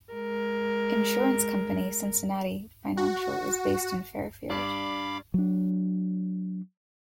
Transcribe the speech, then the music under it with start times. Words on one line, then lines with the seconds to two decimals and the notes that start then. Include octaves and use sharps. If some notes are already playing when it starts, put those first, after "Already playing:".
Insurance company Cincinnati Financial is based in Fairfield.
0.14 G#3 A#4
2.97 F#4
4.50 G2 D4 F5 B5 D6
5.34 F#3 D4